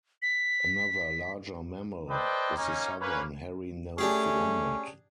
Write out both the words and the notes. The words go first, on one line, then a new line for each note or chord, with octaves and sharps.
Another larger mammal is the southern hairy-nosed wombat.
B6
A4 B4 C5 D5 D#5 G5
A#3 C#4 D#4
A#3 C#4 B4
A3 C#4 D4 G4 G#4